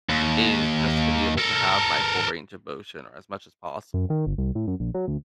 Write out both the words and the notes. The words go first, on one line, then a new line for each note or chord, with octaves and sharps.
is just to be able to have my full range of motion or as much as possible,
D#2
A4 A#4
F#2
D#3
G1
C2
A2
F#2
A#1
F#3
D2